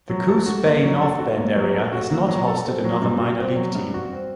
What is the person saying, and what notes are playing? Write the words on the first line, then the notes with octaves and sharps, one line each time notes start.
The Coos Bay–North Bend area has not hosted another minor league team.
F#3
A4
F#4
A#3
F#3
A4
F#4
A#3
F#3
A4
F#4
A#3
F#3
A4
C4
F#3
G2
F#4
C4
F#3
G2
F#4
C4